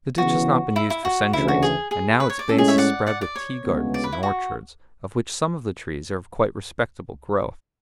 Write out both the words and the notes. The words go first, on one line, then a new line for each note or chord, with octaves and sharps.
The ditch has not been used for centuries, and now its base is spread with tea-gardens and orchards, of which some of the trees are of quite respectable growth.
C#3 E3 B3 F#4
E4
E4
F#4
D2 C#3 E3 E4
F#4
G#4
G#4
B4
C#5
D5
A2 G#3 C#4 A4
G#4
C#5 E5
D5 F#5
D5 F#5
D5
C#5
D2 C#3 G#3 B3
D5
B4
E4
F#4